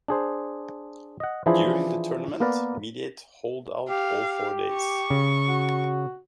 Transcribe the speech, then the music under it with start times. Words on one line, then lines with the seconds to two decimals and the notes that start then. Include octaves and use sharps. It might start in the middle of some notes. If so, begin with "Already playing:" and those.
During the tournament, Mediate holed out all four days.
0.08 D4 G#4 C5
1.20 D#5 F#5
1.46 E3 F3 D4 E4 G#4 C5
2.40 A#3 B3 A#4 B4 D5
3.89 G4 F5
4.73 C#6
5.10 C#3
5.48 F#4